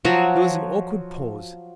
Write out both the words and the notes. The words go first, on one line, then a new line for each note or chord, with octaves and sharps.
There was an awkward pause.
F3 F#3 F#4 C#5